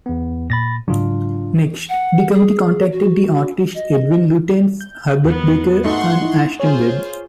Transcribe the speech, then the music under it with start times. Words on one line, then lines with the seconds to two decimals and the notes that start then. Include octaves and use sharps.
Next, the committee contacted the artists Edwin Lutyens, Herbert Baker and Aston Webb.
0.06 E2 B3
0.50 A#2 B5 A6 A#6
0.88 G#2 C#3 F#3 D4 F4
1.89 F#5
2.33 G#4
2.92 F#4
3.75 D#5
4.81 G6
5.25 E2 D#3 B3
5.84 G#2 A3 F#5 C6 C#6
6.22 D#4 E4
6.60 F4 G#4 C5 C#5